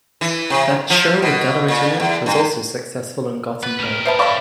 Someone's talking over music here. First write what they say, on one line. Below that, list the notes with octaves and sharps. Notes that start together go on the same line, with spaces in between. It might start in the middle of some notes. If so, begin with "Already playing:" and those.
That show with Dellert in it was also successful in Gothenburg.
E3
C3
F3
B2
A#2
E2
G2
B3 B4
G3 A#4 F6 D#7
B4 C5 D#5 E5 A5 B5
A3 C#4 D5 F5 B5 C#6